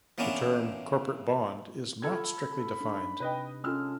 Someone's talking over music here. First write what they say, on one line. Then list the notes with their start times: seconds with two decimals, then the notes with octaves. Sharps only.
The term "corporate bond" is not strictly defined.
0.18 E3 A#3 B3 C#4 D4 E4
2.02 F4 A4 B5 G#6
2.81 D4 D#4
3.20 C3 B4 D#5 G5
3.64 G#3 C#4 F4 A4 E6 F6